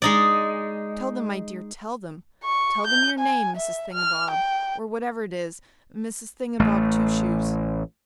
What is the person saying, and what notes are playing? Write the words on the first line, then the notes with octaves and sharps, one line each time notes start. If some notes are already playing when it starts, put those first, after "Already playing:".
Tell them, my dear, tell them; tell them your name, Mrs. Thingabob, or whatever it is, Mrs. Thingabob Twoshoes.'
G#3 D#4 D5
C#6
G6
G#5
E5
F6
G5
A1 A3